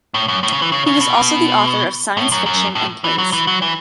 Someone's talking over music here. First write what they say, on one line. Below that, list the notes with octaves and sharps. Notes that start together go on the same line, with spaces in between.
He was also the author of science fiction and plays.
A2
F#2
A2
C#3
E3
C#3
C#3
B2
A2
F#2
F#2
A2
E3
F#3
E3
F#3
E3